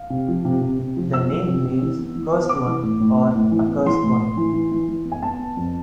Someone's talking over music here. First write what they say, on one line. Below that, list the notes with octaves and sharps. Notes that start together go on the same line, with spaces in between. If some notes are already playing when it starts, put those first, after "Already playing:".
The name means "cursed one" or "accursed one".
Already playing: F5
C3
F3
C3
C3
C3
F3
E2 E6
F3
C3
C3
E3
B3
E3
B3
B3 D6
E3
A2
A2
B3
A2
E3
B3
E3 C6
A2
A2
E3
E3
E3
E3
B3
G#5
B3 A5
B3
F2